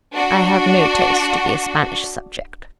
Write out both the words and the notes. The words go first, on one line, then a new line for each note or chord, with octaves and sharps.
"I have no taste to be a Spanish subject."
D4 F#4